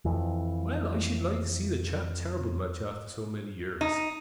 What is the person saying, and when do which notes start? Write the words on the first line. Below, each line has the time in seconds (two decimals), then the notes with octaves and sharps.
Well, I should like to see the chap terrible much after so many years.
0.05 F2 E3
3.81 D#4